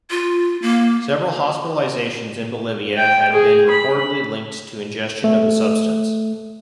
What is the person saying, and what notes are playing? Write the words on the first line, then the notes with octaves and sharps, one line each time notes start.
Several hospitalizations in Bolivia had been reportedly linked to ingestion of the substance.
F4
A#3
G5
G#4
B5
A3